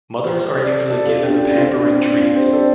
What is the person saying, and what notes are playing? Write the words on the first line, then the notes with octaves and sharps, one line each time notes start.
Mothers are usually given pampering treats.
G4 C5
A4 D5
A4 D5
F4 A4
D4 G4
D4 G4
D4
C4 F4
D4
C4
D4
C4 F4
G4 C5
A4 D5